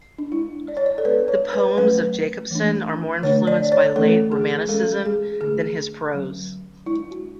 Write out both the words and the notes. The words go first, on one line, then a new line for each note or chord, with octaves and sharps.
The poems of Jacobsen are more influenced by late romanticism than his prose.
D4
G#3 D4 E4
D5
C#5
D5
A4
G#3 B3 D4 B4
C#5
B4
F#3 A3 C#4 B4
E3 A3 D4
D3 A3 D4 C#5
D5
C#5
E3 A3 C#4 A4
G#4
G#3 C#4 A4
G#4
D3 A3 D4 G#4
D3 F#3 C#4
G#3 D4 E4
F#4